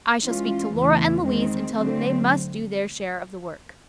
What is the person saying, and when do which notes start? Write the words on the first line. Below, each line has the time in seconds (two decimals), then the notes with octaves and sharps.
"I shall speak to Lora and Louise, and tell them they must do their share of the work."
0.22 E3 G#3 C#4 F4
0.73 E2 C#3 E3 A3
1.24 D#3 G#3 C4
1.76 D3 F#3 A3 C4